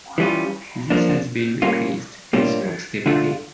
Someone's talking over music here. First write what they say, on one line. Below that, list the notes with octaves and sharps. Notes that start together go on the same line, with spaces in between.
This has been replaced with Foxtel Play.
E3 G3 C#4 F4
F3 A#3 D4
A2 G3 A#3 C#4 F4
A2 G3 A#3 D4 F4
D3 A3 D4 F4